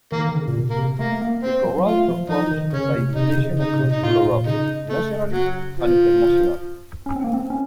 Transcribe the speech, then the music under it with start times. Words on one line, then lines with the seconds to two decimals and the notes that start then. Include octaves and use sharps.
The Chorale performs by invitation across Colorado, nationally and internationally.
0.12 D#3 A#3
0.29 D#3
0.35 C#3
0.48 A#2
0.56 C3
0.68 A#2 A#3
0.78 C3
0.99 A3 A#3
1.22 A#3
1.43 C4
1.64 F#3
1.86 A3 F4
2.08 F3
2.29 F3 D#4
2.51 D#3
2.73 C#3 C#4
2.95 C3
3.16 C3 D#4
3.37 C#3
3.59 C#3 D#4
3.74 A#2
3.81 C3
3.92 D#4
4.03 A2 F4
4.25 A#2
4.47 C#3 D#4
4.89 A3
5.33 F#3
5.77 F3
7.06 C#4
7.16 C4
7.24 A#3
7.34 C4
7.50 C#4